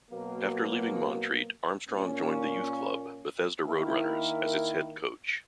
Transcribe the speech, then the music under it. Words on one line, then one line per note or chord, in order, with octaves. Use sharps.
After leaving Montreat, Armstrong joined the youth club, Bethesda Roadrunners, as its head coach.
B2 F#3 A#3
A#2 A#3 C#4
D#3 A#3 E4 A#4